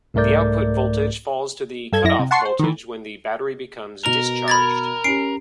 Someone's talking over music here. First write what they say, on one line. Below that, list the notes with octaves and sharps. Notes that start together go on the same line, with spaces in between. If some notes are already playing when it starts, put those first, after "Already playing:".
The output voltage falls to the cutoff voltage when the battery becomes "discharged".
C2 G#2 A3 A#4 D5 G6
G2 A4 G#6
F#2 E4 A#6
C3
F#5 A5 C6 C#6 C7
C5
D#3 E3
B2 A#4 F7
B5 G#6 A6
C#4 G4 C7 D7